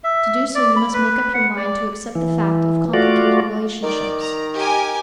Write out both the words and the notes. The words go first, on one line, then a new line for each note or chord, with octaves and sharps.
To do so you must make up your mind to accept the fact of complicated relationships.
E5
D5
B5
B4
F#5
D5
E3
A3 F4 F#4 D5
D#3 D5
A#5
G4 A#4 G#5